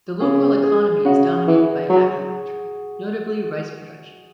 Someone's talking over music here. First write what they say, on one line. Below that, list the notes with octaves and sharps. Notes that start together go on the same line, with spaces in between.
The local economy is dominated by agriculture, notably rice production.
C#3 G#4
G#4
C#3 F#4
E3
F#3